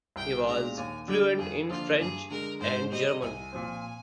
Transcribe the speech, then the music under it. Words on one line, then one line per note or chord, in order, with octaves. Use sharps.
He was fluent in French and German.
C2 G5
A#2 G#3 D4 A#5
D#2 G#5
D3 G3 G5
F2 G#4
D3 F3 A#3 F4
G2 G#4
D3 G#3 A#4
G#2 C5
G3 C4 G4 D#5
C2 G#5
A#2 F3 C4